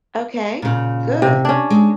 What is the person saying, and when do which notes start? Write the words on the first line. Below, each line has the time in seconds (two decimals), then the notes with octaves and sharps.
Okay. Good.
0.62 A#2 C#3
1.22 C3
1.45 C#4 D4
1.70 G#3